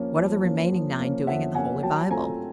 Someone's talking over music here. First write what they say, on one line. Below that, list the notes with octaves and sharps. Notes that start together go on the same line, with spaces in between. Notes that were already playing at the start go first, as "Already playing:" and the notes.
What are the remaining nine doing in the Holy Bible?
Already playing: F3 A#3 C#4
F3
A#3 C#4
F3
A#3 C#4
F3 E5 F#5
A#3 C#4 F#5 G#5
F#3 G5 A5
A3 C4 F4 G#5 A#5